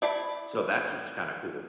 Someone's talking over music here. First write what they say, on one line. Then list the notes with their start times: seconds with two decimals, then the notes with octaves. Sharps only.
So, that's just kinda cool.
0.02 E4 D5 A5 B5